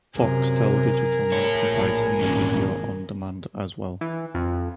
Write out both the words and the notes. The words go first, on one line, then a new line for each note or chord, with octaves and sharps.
Foxtel Digital now provides Near Video on Demand as well.
F#2 C3 G#4 A#4
A2 C#5
A#1
G#1 E2 A#2 C#4
E3
F2